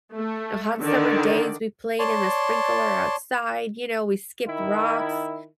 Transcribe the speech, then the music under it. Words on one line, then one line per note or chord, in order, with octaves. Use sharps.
on hot summer days, we played in the sprinkler outside, you know, we skipped rocks,
A3
D3 D#3 D5
C#5 D5 A5 C6
D#3 E4